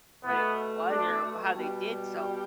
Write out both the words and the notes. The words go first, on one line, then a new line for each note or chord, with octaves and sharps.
what it was or how they did, so,
B2 A3 B3
D4
B2 G3